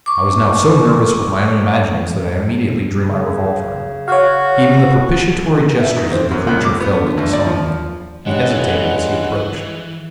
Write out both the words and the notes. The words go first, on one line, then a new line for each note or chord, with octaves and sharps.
I was now so nervous with my own imaginings that I immediately drew my revolver. Even the propitiatory gestures of the creature failed to disarm me. He hesitated as he approached.
C#6 D6
C#3
F#4 C#5 F5
E5
G#2
C4
F#2
C#2
D6
B3
D3
D2
D5
F3
G2 C#3 E3 G#3 F#5